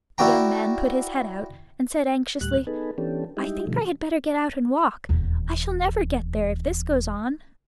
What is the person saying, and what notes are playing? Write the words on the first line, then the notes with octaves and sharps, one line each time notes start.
The young man put his head out and said anxiously, "I think I had better get out and walk; I shall never get there if this goes on."
E4 F#4 D5 G5 A#5
D2 A2 G3 F#6
B3 D#4 G#4 A4 B4
E3 B3 C#4 D4 G4 A4
G3 G#3 D#4 E4 G4
B2 D3 D#3 F3 G3 A3
D#1 E2